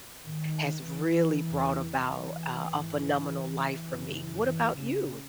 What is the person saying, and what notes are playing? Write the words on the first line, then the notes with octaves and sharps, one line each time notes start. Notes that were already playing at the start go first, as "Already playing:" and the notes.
has really brought about, uh, a phenomenal life for me. What about you?
G#2 D#3
E3
E2 C3
E3
G#2
F#2 C#3
E3
C#3